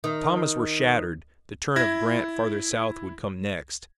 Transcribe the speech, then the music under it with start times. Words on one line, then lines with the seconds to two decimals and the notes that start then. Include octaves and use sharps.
If Thomas were shattered the turn of Grant farther south would come next.
0.04 D#3
1.76 E4 G#6 A#6